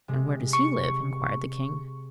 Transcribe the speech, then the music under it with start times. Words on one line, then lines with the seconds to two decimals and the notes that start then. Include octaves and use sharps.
'And where does he live?' inquired the king.
0.08 C3 G#3
0.53 C#6